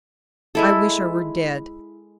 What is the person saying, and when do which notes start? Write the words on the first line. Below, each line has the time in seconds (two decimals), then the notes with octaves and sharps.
I wish I were dead.
0.55 G#3 E4 A4